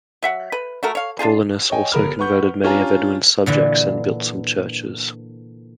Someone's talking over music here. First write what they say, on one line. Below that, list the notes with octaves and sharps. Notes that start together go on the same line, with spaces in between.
Paulinus also converted many of Edwin's subjects and built some churches.
F#3 E5 F#5
B4
A3 F#4 A#4
C#5 F5
D4 D#4 F4 G#4
C#5 D#5 G5 G#5
G1 A#4 B5 F6
B4 F#5 C#6 G6
C#4 D4 F4 G4 G#5 A#5
A#2 D3 E3